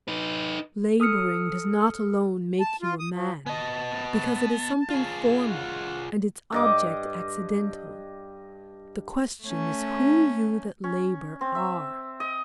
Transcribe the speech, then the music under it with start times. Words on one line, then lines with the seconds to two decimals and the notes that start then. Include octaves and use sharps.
Laboring does not alone make you a man, because it is something formal and its object accidental; the question is who you that labor are.
0.08 D#4 B4
1.00 A4 D#6 F6 C#7
2.60 A5
2.82 F4
2.99 D#6
3.14 F3
3.46 B3 D#5 A5
4.90 F4 G#4
5.50 F#5
6.52 G2 D#5 D6
9.44 A3 C#4
10.84 C#4
11.41 C4
11.55 E5
12.20 D#5